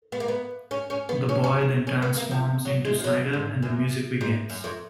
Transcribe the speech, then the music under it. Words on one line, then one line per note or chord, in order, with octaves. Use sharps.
The boy then transforms into Snider and the music begins.
B3
A#3
B3
C#4
C#4
B3
C#4
C#4
C#4
B3
A#3
F3
F#3
G#3
F3
F#3
G#2
F#2
G#2
F#2
F2